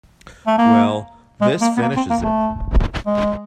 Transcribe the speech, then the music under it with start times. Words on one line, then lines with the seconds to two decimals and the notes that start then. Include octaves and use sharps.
Well, this finishes it.
0.47 A3
0.58 A#3
1.41 G#3
1.61 A#3
1.77 B3
1.82 A#3
1.97 C4
2.10 A#3
2.24 A3
3.06 G#3